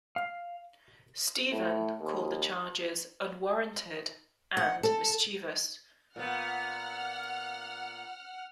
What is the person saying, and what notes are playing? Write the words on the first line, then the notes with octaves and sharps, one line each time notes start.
Stephen called the charges unwarranted and mischievous.
F5
A2
D#2
F#5
A4
A#2 B3 F#5 F6